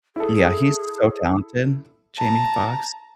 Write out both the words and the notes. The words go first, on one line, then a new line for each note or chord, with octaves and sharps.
Yeah, he's so talented, Jamie Foxx.
E4 G#4 A4
A5 A#5